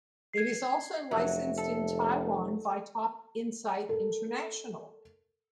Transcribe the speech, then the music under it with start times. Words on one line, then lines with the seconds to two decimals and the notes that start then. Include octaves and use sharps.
It is also licensed in Taiwan by Top-Insight International.
0.33 G#6 C7
1.11 F1 F#3 E5
1.58 A4
3.89 A4 A#4